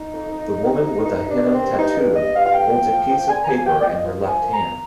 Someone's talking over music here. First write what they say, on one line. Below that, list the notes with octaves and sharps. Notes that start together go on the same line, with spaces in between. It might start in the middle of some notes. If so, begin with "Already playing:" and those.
The woman with a henna tattoo holds a piece of paper in her left hand.
Already playing: D#4
F2
F2
F2
C3
F2
G2 D#4
G2
D4
D#3
C4
G2
G2 D#4
G2
G2 D#5
G2 F5
F5
F2 G5
F3
F3
F3
D3 G#5
A#5
F3 G#5
F3 G5
D5
F3 D#5
F3
F3
G#5
A#2
A#5
A#2